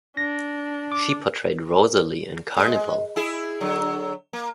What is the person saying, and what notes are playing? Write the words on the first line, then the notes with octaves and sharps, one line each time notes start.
She portrayed Rosalie in Carnival!
D4 A#6
D6
G#3
E4 G#4
D3 F#3
A#3